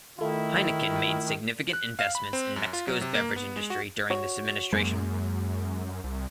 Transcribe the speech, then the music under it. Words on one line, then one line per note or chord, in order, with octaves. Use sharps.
Heineken made significant investments in Mexico's beverage industry during this administration.
D#3 A3 E4 F4
F#6
F5
B5
C4
F#2
F4
F#3
C3
A#3
B3
G#3
F#4
F#4 C#5
F#2 G#3 A#3
C2